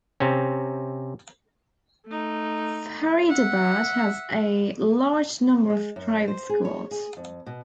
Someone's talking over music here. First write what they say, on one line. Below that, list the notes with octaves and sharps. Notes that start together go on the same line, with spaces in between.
Faridabad has a large number of private schools.
C3 C4 C#4
A3 D#4
E5 F#5
G#3
F#2
C5
G#4
C#5
G#4
F2
B2